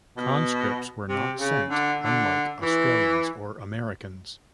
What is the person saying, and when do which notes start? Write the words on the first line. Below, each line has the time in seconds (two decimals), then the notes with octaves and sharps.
Conscripts were not sent, unlike Australians or Americans.
0.17 B2
1.09 C3
1.39 C#3
1.70 D3
2.01 D3
2.62 E3